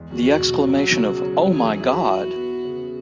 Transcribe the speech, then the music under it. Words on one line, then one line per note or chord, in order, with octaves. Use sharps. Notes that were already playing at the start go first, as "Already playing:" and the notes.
The exclamation of Oh my God!
Already playing: E2 G#3
E2 F#4
B2
F#3 F#4
C#3
F#3
E2 G#4
E4 F#4
E4
B3
C#3